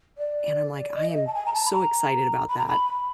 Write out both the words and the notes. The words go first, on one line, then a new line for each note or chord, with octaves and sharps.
and I'm like, "I am so excited about that."
D5
D#5
E5
D#5
A5
G#5
A#5
A5
B5
A#5
B5
A#5
B5